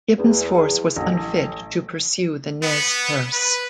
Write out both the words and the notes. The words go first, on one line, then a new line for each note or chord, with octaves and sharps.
Gibbon's force was unfit to pursue the Nez Perce.
E2
A1
B3
B4